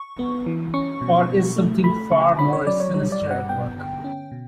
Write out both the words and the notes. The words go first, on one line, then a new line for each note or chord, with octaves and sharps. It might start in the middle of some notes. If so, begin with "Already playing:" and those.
Or is something far more sinister at work?
Already playing: C#6
B3
E3
C#4 C#6
B2
B2
A3
A3 B5
C#3 C#6
C#4 B5
C#5
F#3 D5
C#5
G3 C#5
D5
G2
F#5
B3 G5
D3
C#4
B2